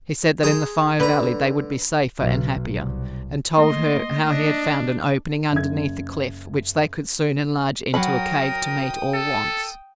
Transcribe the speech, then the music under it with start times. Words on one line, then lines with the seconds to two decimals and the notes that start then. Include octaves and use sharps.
He said that in the Fire Valley they would be safer and happier, and told her how he had found an opening underneath the cliff which they could soon enlarge into a cave to meet all wants.
0.43 G#4 A#5 C6
1.00 D3 B4 A#5
2.19 B1
2.75 C2
3.58 A3 A#3 D#5 C6
4.26 D4
5.52 F#1 G#6
7.94 F#3 A#4 F#5 G5 B5 D#6
9.14 A4